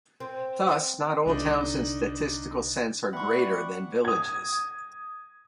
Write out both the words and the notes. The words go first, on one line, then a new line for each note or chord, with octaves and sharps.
Thus, not all towns in statistical sense are greater than villages.
C4
C2 D3 D4 D#4
A3 D5 E5 F#5 G5 B5 C#6
D#6 G#6